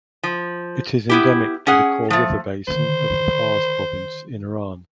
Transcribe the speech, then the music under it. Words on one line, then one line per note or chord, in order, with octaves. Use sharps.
It is endemic to the Kor River basin of the Fars Province in Iran.
F3
B3 E4 G4
C#4 G#4 F#5
F3 A3
D3 D#3 C5